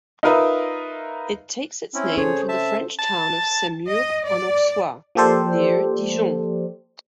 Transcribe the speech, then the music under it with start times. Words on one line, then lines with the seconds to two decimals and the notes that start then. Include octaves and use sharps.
It takes its name from the French town of Semur-en-Auxois, near Dijon.
0.23 D#4 F4 A#4 B4 D#5 E5
1.94 C4 C#4 E4
2.17 C#4 G#4 A4 C5 C#5
2.49 E5 A5
2.99 A5
3.87 D#5
4.26 D5
5.15 F3 A#3 G4 A4 C5 D5